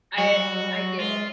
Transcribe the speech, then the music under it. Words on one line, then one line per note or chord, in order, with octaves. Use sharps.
I I get it.
F#3 F#4
G3
F#3
G3
F#3
G3
F#3
G#3 F4